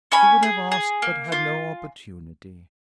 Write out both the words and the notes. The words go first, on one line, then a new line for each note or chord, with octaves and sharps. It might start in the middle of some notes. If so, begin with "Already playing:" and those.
She would have asked, but had no opportunity.
C#4 G#5 B5
G#4
G#4
A#3
F4